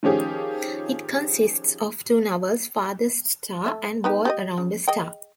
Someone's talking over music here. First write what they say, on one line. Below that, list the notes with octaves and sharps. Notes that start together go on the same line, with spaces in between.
It consists of two novels, Farthest Star and Wall Around a Star.
D#3 F3 C#4 G4 G#4
A3 E5
B3 D#4 G4
G4 G#4 D#5
C#3
G#4 D#5 G5